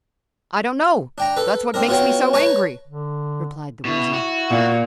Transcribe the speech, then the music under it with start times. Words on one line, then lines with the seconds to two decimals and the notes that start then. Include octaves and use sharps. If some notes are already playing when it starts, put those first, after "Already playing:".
"I don't know; that's what makes me so angry," replied the Woozy.
1.18 D4 G5 A#5
1.37 A4 B4
1.74 C4 D4 A#4
1.87 B3 F4 F#4 C#5 G5
2.33 B4 C#5 A5 A#5 C#6
2.87 D3
3.85 B2 E4
4.14 F#4
4.49 A#2